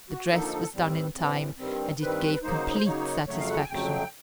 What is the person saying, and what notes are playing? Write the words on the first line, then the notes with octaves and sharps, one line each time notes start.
The dress was done in time, and it gave complete satisfaction.
F#4
D3 F3 A#3 D#4 A4
A2 E3 G3 C4
A2 E3 G3 C4
G2 D#3 G3 C4
G2 D#3 G3 C4 B4
C#3 F#3 A#3 D#4 C5
C5
C#3 F#3 A#3 D#4 C#5
F2 C#3 F#3 A3 C#5
F5
F#5
G5
G#5
F2 C#3 F#3 A3 G5